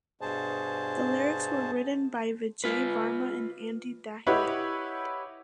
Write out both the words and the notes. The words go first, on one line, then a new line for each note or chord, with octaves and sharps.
The lyrics were written by Vijay Varma and Andy Dahiya.
G2 B2 G#4 C5 A5
F4 B4
E4 G4 B4 C#5 D#5 F#5